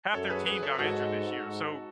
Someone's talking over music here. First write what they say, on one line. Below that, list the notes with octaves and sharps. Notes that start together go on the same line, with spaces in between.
half their team got injured this year, so
F#2 A4 C#5
G#4 B4
G#4 B4
A4 C#5
G#2 F#4 A4
G#2